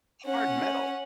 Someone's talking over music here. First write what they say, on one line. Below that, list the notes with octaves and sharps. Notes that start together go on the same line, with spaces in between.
hard metal.
C#4 F#5